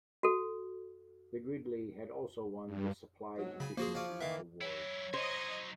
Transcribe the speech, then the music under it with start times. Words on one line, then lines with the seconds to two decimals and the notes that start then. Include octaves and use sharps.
The Gridley had also won the Supply Efficiency Award.
0.23 F#4 A4
2.66 G2
3.37 G#2 B2 F#3
3.60 C#3 G#5 B5
3.77 F3 A#3 F#4 G#4 C5 C6
3.95 F4 C#5 D5
4.21 D#3 E3 A#3 E5 F5
4.61 F#3 E4 C#5
5.14 F#3 D#4 C5 D#5 G#6